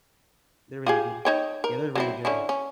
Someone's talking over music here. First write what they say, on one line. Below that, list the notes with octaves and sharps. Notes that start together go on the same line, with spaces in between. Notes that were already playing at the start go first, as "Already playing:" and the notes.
they're really good. Yeah, they're really good.
F4 G4 G#4
D#4 C#5 G5
A#4
F#3 C4 E4
D3 C#4 E4
C#4